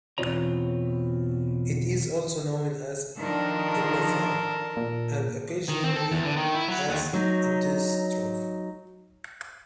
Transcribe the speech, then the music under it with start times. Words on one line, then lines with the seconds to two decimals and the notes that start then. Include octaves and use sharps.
It is also known as epiphora and occasionally as antistrophe.
0.18 E2 B2 C4 F4 C#5 A#5
3.18 D#3 F3 D4 A4 A#4
4.77 A#2
5.69 D#3
5.84 C4
5.96 A4
6.12 E2
6.24 D3
6.36 D#3
6.54 E4
6.68 F#3
6.89 D#2
7.13 F#3 D#4